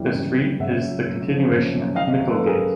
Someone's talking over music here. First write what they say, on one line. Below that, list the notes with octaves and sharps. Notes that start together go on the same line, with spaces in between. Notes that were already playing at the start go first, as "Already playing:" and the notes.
The street is the continuation of Micklegate.
Already playing: F#2 C#3 E3 G3
C#3
F#2
C#3 E5 F#5
F#2
F#2
F3
C#3
F#2
D#3 D#5 F5
F#2
A4 B4
F#2
G#4 A#4